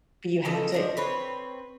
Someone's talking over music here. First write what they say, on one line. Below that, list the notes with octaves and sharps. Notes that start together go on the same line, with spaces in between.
You have to
C#3 A#3 A4 D#5
F3 D4 D#5
C4 B4 C#5